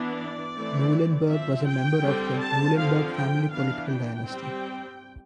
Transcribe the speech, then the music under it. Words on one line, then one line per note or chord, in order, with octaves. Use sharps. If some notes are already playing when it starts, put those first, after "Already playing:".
Muhlenburg was a member of the Muhlenberg Family political dynasty.
Already playing: E3 B3 D4
D5
E3 A3 C4
F3 C4 E5
G5
D3 G3 C4
A5
D3 F3 C4 F5
G5
E3 B3 D4 F5
G5
G3 C4